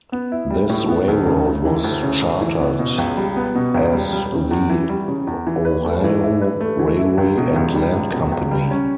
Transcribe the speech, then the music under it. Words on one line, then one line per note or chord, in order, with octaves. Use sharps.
This railroad was chartered as the Oahu Railway and Land Company.
B3
E4
G3
A2
B3
D2
C#3
D2
E3
D2
C#3
D2
E3
B3
B2
C#2
G3
B3
B2
C#2
G3
G3
C#3
E2
E3
G3
C#3
E2
E3
B4
A3
E3
E4
B4
A3
E3
E4
C#2
B2
C#2
G3
C#2
B2
C#2
G3
C#4